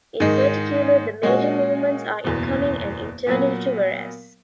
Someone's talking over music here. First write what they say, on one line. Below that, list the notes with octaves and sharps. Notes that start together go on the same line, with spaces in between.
In particular, the major movements are incoming and internally to Varese.
G#2 D#3 G#3
A#2 G#3 C#4 F#4
F#1 E2 B2
A#2 F#3 B3